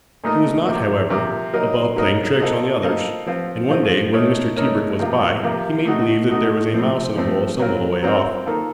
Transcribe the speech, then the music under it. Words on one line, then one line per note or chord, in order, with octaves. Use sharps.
He was not, however, above playing tricks on the others, and one day when Mr. Tebrick was by, he made believe that there was a mouse in a hole some little way off.
A#2 A3 D#4 A#4 D#5
C3 F3 A#3
C3 F3 A#3
F#3 A#3 D#4 A#4 D#5
F#3 A#3 D#4 A#4 D#5
A#3 F4 A4 C5 D#5
A#3 F4 A4 C5 D#5
F3 C4 F4 C5
F3 C4 F4 C5
A3 D#4 A#4 C#5
A3 D#4 A#4 C#5
C3 F3 A#3 F4
C3 F3 A#3 F4
A3 D#4 F#4
A3 D#4 F#4
F3 A3 C4
F3 A3 C4
F#3 C4 F4 A#4
F#3 C4 F4 A#4
D#3 A#3 F4 A4